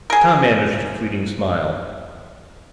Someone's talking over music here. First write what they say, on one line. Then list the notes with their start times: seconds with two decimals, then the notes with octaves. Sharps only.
Tom managed a fleeting smile.
0.10 G#4 A#4